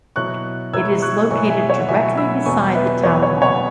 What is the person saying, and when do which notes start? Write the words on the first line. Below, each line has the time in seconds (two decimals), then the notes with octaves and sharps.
It is located directly beside the Town Hall.
0.16 B2 F#3 E4 C#6 F#6
0.73 B2 F#3 E4 E6 G#6
1.02 C#6 F#6
1.31 B2 F#3 E4 G#5 C#6
1.50 E5 G#5
1.70 C#5 F#5
1.80 F#5
1.89 B2 F#3 E4 E5 G#5
2.17 B5 E6
2.46 E2 B2 F#3 B3 G#5 C#6
2.75 B4 E5
3.03 E2 B2 F#3 B3 C#5
3.22 C#5
3.42 C#5 F#5